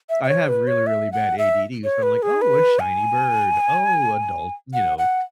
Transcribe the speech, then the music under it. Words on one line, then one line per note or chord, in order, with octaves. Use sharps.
I have really, really bad ADD so I'm, like, oh, a shiny bird, oh, adult, you know,
E5
E5
C#5
B4
C#5
E5
F#5
E5
C#5
B4
G#4
B4
G#5
F#5
F#5